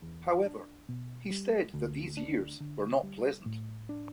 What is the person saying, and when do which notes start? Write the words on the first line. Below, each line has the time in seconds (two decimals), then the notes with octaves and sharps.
However, he said that these years were not pleasant.
0.02 E2
0.46 D4
0.89 B2
1.30 G3
1.74 D2
2.17 D4
2.60 D3
3.03 G3
3.46 A2
3.89 D4